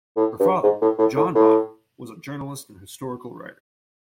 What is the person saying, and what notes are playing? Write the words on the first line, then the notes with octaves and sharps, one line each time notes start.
Her father, John Bonner was a journalist and historical writer.
A2
G2
G#2
A2
A2
A2
A2